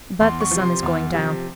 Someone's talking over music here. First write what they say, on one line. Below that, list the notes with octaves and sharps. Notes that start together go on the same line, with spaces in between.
But the sun is going down.
E2 C6
C#6
C3 F3
C6
E2
C3 F3